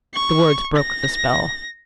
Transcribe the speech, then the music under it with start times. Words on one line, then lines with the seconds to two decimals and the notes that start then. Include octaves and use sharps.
The words broke the spell.
0.14 C#6
0.76 A#6